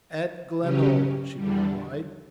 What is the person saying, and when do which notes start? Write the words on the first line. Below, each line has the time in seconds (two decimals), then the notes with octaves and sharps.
"At Glenalla," she replied.
0.61 C#3 F#3 C#4 G4
1.35 E2 D3 G3